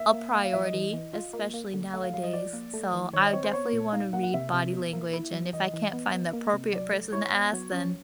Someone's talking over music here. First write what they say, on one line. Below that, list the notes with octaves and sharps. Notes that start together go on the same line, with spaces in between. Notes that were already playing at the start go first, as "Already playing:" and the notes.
a priority, especially nowadays. So, I definitely wanna read body language, and if I can't find the appropriate person to ask, then
Already playing: A#3 E5
A#3
A#3 F5
F5
F3 E5
D#5
E3
E3
F4
A#3
A#3
D3
A3 F#5
F5
F#3 F5
D#5
F3 D5
A#3
A3
E3
D#3 C#5
D#5
C4 C#5
C5
B3 C#5
A#2
D#4 F5
A#3 F#5
F#5
C3 E5
C3
B2
A#3
E4
F#3
E3 D#5
E3
B3
B3
A#3
C3
F#3 D5
A3
E4 C#5
B3
F#3
C#4